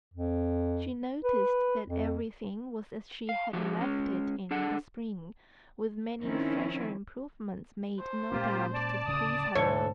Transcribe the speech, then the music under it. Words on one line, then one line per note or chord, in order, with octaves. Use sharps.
She noticed that everything was as she had left it in the spring, with many fresher improvements, made, no doubt, to please her.
F2
B4
F2
F5
F2 F3 F#4 G4 E5
G#3 C#4
D4 G#4 A4 F#5
D#3 F3 C4 C#4 E4
C5
A#2 G#3 A#3 C#4 F4 G4
D5 A5
D1 C#3 D#6
D2 G#2 B2 E3 A4 C#5